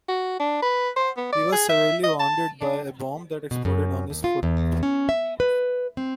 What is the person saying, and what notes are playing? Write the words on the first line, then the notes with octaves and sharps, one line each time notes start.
He was severely wounded by a bomb that exploded on his foot.
F#4
D4
B4
C5
B3
D5
G#4
E5
D#5
A5
D4
B2
F#2
D#2
F4
E2
C#4
E5
B4
C4